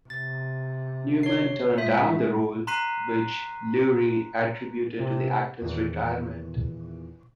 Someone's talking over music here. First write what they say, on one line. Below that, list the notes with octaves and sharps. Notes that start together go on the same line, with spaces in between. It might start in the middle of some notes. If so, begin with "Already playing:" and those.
Newman turned down the role, which Lurie attributed to the actor's retirement.
C3 A6
C#5 C7
A2 G#3 F4 E5
A#5 C6 F#6 B6 C7 D#7
C3
E2 A#2 D#3 E3